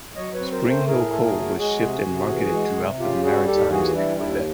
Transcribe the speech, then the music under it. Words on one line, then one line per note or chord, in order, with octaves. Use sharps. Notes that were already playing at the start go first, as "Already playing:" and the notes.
Springhill coal was shipped and marketed throughout the Maritimes and Quebec.
F#3 C#5 D#5
B4 C#5
C4
A#4 C5
A3
A#4 C5
A2 G#4 A#4
A3 A4
G#4 A#4
F#3
G#3 F#4 G#4
C3
C3
E3
G#3
C3
C#3 F4 G4
G3 F#4 G#4
D#2 G4 A4
E3 F#4 G#4
G3 D4 E4
D#2 D4 E4